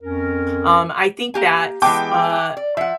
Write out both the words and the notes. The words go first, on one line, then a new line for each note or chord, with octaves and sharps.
Um, I think that's uh,
F2 C#4 A#4
A#3 G4 G#5
E3 G#3 B3 G5 A5 D6
D5
F3 E5 F#5